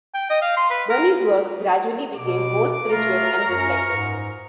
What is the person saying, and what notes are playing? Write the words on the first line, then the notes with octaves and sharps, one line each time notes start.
Berni's work gradually became more spiritual and reflective.
G5
D#5
F5
C6
B4
A#4
B2 D6
A3 F4 A#4
F#2 C#6
G#2